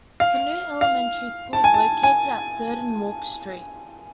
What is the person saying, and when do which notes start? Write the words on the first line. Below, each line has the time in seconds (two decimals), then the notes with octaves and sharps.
Canute Elementary School is located at Third and Walk Street.
0.20 F5
0.81 F5
1.53 A5
1.64 G#5
1.74 A5
2.03 G#5